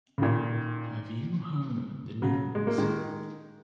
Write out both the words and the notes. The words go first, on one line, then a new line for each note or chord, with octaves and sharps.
Have you heard the news?
C#3
A#2 D#3
C#3 F#3
G#3
A#3
D#3 G#3